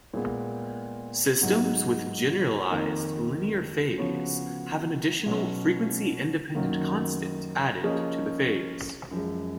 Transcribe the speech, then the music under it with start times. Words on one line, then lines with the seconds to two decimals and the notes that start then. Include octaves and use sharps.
Systems with generalized linear phase have an additional frequency-independent constant added to the phase.
0.14 A#2 G#3 B3
1.41 G#2 F#3 B3
2.70 F2 D#3 A#3 D#4
3.98 C#3 F3 B3 F#4 C#5
5.26 B2 F#3 C#4
6.55 F#2 D#3 F#3 A#3
7.83 F3 A#3 C#4 G#4 D#5
9.11 F#2 F3 G#3